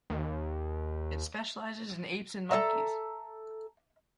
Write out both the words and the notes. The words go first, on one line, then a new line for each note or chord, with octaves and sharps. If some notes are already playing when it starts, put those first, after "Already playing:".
It specializes in apes and monkeys.
D#2
A4 C#5 E5 A#5